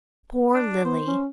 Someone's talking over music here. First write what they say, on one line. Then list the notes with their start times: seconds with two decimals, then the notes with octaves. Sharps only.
Poor Lily!
0.54 D4
0.85 B3 C5
1.07 C#4